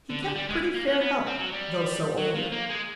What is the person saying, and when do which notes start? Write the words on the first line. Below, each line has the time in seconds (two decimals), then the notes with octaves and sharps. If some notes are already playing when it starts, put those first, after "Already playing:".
He kept pretty fair health, though so old.
0.10 D3
0.22 D3
0.36 G3
0.49 G#3
0.74 A#3
0.87 B3
1.01 B3
1.26 C4
1.39 F#3
1.52 G3
2.18 F#3
2.35 F3
2.52 A#3
2.69 G#3